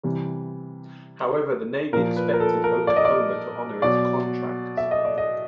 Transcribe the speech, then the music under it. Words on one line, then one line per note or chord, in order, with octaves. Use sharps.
However, the Navy expected Oklahoma to honor its contract.
C3 E3 G3
A#2 F3 A#4
B4
A#4
A4
A#4
D5
D#5
D5
B2 F#3 D5
E5
D#5
D5
D#5